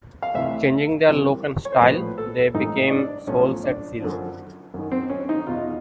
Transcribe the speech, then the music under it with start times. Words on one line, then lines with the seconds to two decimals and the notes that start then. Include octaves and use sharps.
Changing their look and style, they became Souls at Zero.
0.22 F5
0.34 D2 C3 E3 E5
1.08 C2 C3 E3
1.65 C#5
1.72 C5
1.81 A#1 A2 F3 B4
2.18 A4
2.54 A1 G#2 E3 D#4
2.91 D4
3.27 B1 A2 F3 C#4
3.64 D4
4.00 F#2 D3 F3
4.74 F#2 D#3
4.92 C4
5.10 C#4
5.29 D#4
5.47 E2 B2 F4